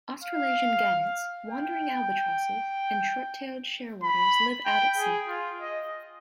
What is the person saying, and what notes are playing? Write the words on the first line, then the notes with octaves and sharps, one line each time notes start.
Australasian gannets, wandering albatrosses and short-tailed shearwaters live out at sea.
F5
G5
B5
G5
G#4
F4
D#5